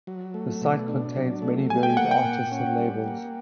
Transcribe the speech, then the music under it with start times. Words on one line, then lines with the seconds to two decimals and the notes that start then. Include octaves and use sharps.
The site contains many varied artists and labels.
0.07 F#3
0.34 A3
0.61 B2
0.88 D4
1.16 F#3
1.42 A3
1.69 G3 G#5
1.83 G5
1.97 A#3 F#5
2.11 G5
2.24 A#2
2.52 C#4
2.78 G3
3.06 A#3